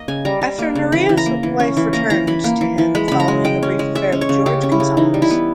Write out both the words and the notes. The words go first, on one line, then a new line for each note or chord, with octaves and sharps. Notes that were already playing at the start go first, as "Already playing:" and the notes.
After Narea's wife returned to him following a brief affair with Jorge Gonzalez.
Already playing: A#3 D#5
C#3 G#5
G3 A#5
G3
A#3
C#3
E3 B5
E3
A#5
A#3
E3
C#4
E3
A#3 A#5
E3 A#5
E3 B5
A#3
E3
E3
G#3 B5
C#3 B5
A#5
G#3
G#3 G5
C#4
G#3
G#3 E5
C#4
C#5
C#3
C#3 G4
C#4
E4
C#3
E3 D#4
G3
E4
B3